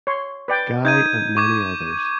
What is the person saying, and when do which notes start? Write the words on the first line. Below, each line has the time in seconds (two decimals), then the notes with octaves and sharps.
Guy and many others.
0.07 C#5 C6
0.48 B4 D5 G5
0.85 D#4 G6 G#6 D#7
1.37 C#6 D6 G#6